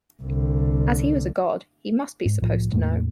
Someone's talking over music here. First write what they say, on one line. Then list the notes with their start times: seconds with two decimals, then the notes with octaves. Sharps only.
As he was a god, he must be supposed to know.
0.22 C2 D3
2.26 G#2
2.42 C2 A2 F3
2.72 E2 A2 A3 A#3